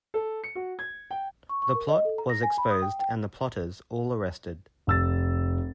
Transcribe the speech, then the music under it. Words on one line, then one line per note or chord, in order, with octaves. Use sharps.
The plot was exposed and the plotters all arrested.
A4
C#7
F#4
G#6
G5
C#6
C#6
A#4
D#5
A4
A#5
A#6
G#5
B5
D#6
G5
G5
F1 E6 A6